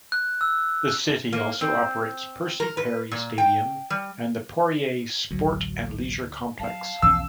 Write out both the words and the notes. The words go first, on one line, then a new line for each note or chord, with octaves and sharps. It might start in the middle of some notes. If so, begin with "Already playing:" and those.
The city also operates Percy Perry Stadium and the Poirier Sport and Leisure Complex.
F#6
E6
A#3
C4
A#4
B4
A#2
G5
G3
A1 D2 F#3
F#3 F5 A5
B1 E2 F3 C#4 E6